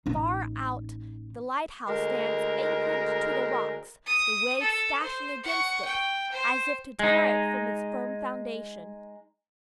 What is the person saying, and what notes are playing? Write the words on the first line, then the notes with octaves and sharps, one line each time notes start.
Far out the lighthouse stands anchored to the rocks, the waves dashing against it, as if to tear it from its firm foundation.
A1 D#4
D2 G#3 A#4
D#6
A4
C5
F#5 C#6
G5
C5
G#3 D#4